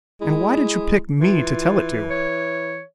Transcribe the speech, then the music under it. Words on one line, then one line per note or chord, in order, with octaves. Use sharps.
"And why did you pick me to tell it to?"
G#3 E4
E3 F4
C#5